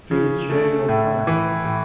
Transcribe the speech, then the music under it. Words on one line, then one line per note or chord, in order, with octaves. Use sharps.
Please share your comments.
C#3
A3
A2
E3
A2